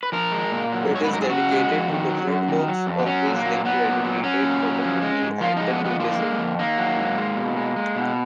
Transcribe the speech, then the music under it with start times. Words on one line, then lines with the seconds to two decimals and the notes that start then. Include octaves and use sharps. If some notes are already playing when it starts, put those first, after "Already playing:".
It is dedicated to different works, always linked to educated, photography and the tourism.
0.03 B4
0.12 F3 A#4
0.32 G#3
0.51 A#2
0.72 F#3
0.91 G#2 C#5
1.04 B4
1.11 F#3 A#4
1.22 G#4
1.30 C#3 F#4
1.50 G#3
1.69 F2
1.88 D#3
2.09 F#3
2.27 F#2
2.48 D#3
2.68 F#3
2.86 F2
2.99 B3
3.06 F#3 C#4
3.26 A#2
3.35 A#3
3.45 F#3
3.65 F#3 B3
3.84 A#2
4.04 F#3
4.24 F#3 C#4
4.43 A#2
4.62 F#3
4.83 F3
5.02 G#3
5.22 G#2
5.40 F3 F4
5.56 G#3 D#4
5.70 B3
5.81 F2 B3
6.00 F3 A#3
6.19 G#3
6.39 F2
6.59 D#3 A#3
6.78 F#3
6.98 G#2
7.18 G#3
7.37 B2
7.57 G#3
7.76 G#3
7.96 B2